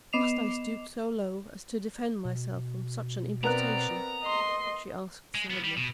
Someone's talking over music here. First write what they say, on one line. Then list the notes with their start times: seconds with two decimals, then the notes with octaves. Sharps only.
"Must I stoop so low as to defend myself from such an imputation?" she asked, sadly.
0.13 B3 D#5 D6 C7 E7 F7
2.25 B2
3.44 B3 C4 A#4 D5 A#5 F#6
4.23 D#5 C6
5.35 G#3
5.50 F3 B3
5.64 G3
5.77 B2